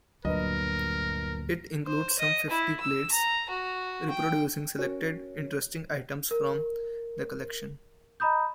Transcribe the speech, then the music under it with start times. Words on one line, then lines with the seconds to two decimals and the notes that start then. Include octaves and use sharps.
It includes some fifty plates, reproducing selected interesting items from the collection.
0.25 D2 G2 A#2 F#3 D4 A#4 B4 D#5
1.86 C5
2.18 D#5
2.50 E4
2.80 E6
3.12 A#5
3.49 F#4
4.10 G5
4.79 C#4 F#4 A#4 C#5
6.31 A#4
8.20 D#5 A#5 B5 D#6 G6